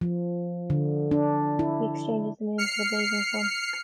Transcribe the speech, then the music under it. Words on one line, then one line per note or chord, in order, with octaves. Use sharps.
He exchanges the moon for the blazing sun.
F3
D3
D4
E4
F6 C7 C#7